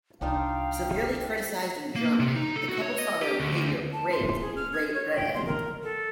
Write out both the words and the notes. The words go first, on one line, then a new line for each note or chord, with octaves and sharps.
Severely criticised in Germany, the couple saw their behaviour praised in Great Britain.
C2 D4 D#4 F4 F5 G5
A#3
C3
D#4
A4
F#4
C#5
D#5
G4
D2
A5
C6
G#4
F6
G#6
C#5
G5
C6
A#4
A4